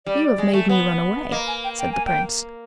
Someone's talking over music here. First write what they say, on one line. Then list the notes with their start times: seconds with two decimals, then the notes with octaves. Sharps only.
'You have made me run away,' said the prince.
0.06 G3 D5
0.38 G#3
0.53 A3
0.69 B3
1.32 A#3 D#5
1.47 G#5
1.64 G5
1.79 G5
1.92 G#5
2.06 G5